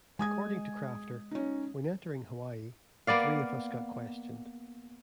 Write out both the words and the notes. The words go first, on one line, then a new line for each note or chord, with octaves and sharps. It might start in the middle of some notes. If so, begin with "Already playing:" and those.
According to Crafter, when entering Hawaii, Three of us got questioned.
G#3 G#5 D#6 G#6
C#4 D#4
A#3 B3 D5 F5